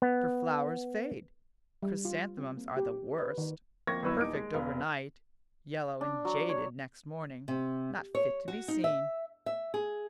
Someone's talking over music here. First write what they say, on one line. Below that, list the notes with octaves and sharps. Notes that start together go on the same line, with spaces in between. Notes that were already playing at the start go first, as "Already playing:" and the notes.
For flowers fade; chrysanthemums are the worst; perfect over night; yellow and jaded next morning--not fit to be seen.
B3
G3
F4
C4
A#3
G4
B4
D#3
F2 A#3 C4 C#6 G#6 A#6
G1 F#2 E4 B4 C#6 E6
D#1 D#4 D6 D7
G#3
E1 B4 F5
D4
F#3
C#5
C3
C#5
F#4
D#4
E5
E5
G#4